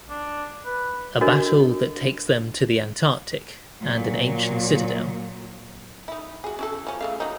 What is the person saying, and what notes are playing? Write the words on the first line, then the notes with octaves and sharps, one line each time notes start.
A battle that takes them to the Antarctic and an ancient citadel.
D4
B4
D4 F#4 A4 A#4 C#5 D#5
A#2 F#3
D#4 E4
F#4 G#4
C#4 E4 A4
F3 C#4
C#3 A3 F5
F#3 D#4